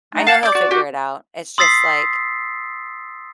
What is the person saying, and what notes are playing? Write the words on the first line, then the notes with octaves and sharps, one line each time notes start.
I know he'll figure it out. It's just, like
A3 D4 D#4
F5 F#5 A5
D5 D6 G6
F#4
F#4 G4
C6 D#6 E6 A6 B6 C7